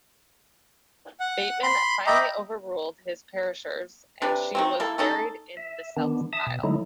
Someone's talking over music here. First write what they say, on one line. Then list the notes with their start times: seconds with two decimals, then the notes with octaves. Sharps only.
Bateman, finally over-ruled his parishioners and she was buried in the south aisle.
1.20 F#5
1.63 B5 C6
2.07 D#5 E5 G5 A#5 B5 D6
4.22 C3 D4 B4 D5
4.55 D#3 F#3 C4
4.80 A#3 E4 A4
4.98 C#4 D#4 A4
5.57 E5
5.97 D#3 B3 D4
6.33 E5 A5 D#6
6.47 B2
6.63 D3 F#3 G#3 A3 D#4 E4